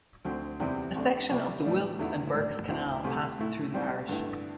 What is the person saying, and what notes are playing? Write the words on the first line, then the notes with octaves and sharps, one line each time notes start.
A section of the Wilts and Berks Canal passes through the parish.
D2 D3 C4
E2 C3 G3 C4 E4
C2 C3 A3 D4
C2 C3 G3
A2 E3 G3 D4
E2 D3 A3 E4
A2 G3 D4
D2 D3 C4 E4
C2 C3 A3
A2 A3 E4
C2 C3 G3 C4
G2 D3 A3 E4